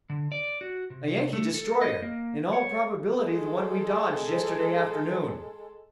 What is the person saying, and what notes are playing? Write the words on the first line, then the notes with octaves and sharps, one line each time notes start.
"A Yankee destroyer--in all probability the one we dodged yesterday afternoon."
D3
D5
F#4
C3
A3
A4
D#5
A#3
C#5
G#3 A4